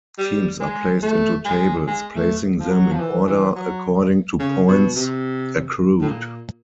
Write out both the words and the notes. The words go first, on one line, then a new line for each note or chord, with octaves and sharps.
Teams are placed into tables, placing them in order according to points accrued.
G3
G#3
A3
G#3
G#3
A3
F3
F#3
F3
E3
E3
F#3
C#3
B2
C3
A2
A#2